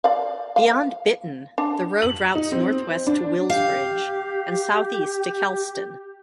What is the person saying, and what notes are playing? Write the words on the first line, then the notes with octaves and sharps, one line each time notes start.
Beyond Bitton the road routes north-west to Willsbridge and south-east to Kelston.
D5 F5
F5
D4
F#7
D#4
C4
D4
G4 F5